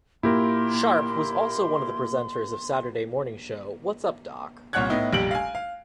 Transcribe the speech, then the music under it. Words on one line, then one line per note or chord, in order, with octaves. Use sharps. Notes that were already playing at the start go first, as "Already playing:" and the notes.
Sharp was also one of the presenters of Saturday morning show What's Up Doc?
A#2 A#3 E4 G4 A#4 C6
C2 A#2 C#5 F#5 F#6 G#6
A2 B3 D#4 E4
F1 A#1 G3 G4 D7 F#7
F5 G#5
F5